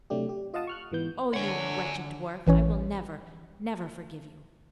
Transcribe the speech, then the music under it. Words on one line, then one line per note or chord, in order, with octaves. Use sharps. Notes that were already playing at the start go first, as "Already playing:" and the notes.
Oh, you wretched dwarf, I will never, never forgive you!'
C3 F#3 A3 D4 G4
G4
F4 D#5 F5 F#5 A5 D#6
C#6 F6 F#6
G#2 E3 B3 G6
D3 C#5 F#5 G#5
A1 E3 C#4 C#5